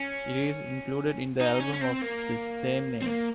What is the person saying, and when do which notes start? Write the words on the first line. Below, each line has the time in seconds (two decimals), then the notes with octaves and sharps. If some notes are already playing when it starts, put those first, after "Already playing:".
It is included in the album of the same name.
Already playing: C#4
1.40 D#4
1.60 C#4
1.74 C#4
1.81 C4
2.02 A#3
3.02 C4
3.06 A#3